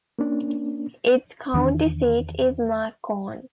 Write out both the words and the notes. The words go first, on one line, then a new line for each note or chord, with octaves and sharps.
Its county seat is Macon.
A#3 C#4 D4
E2 D#3 C#4 D4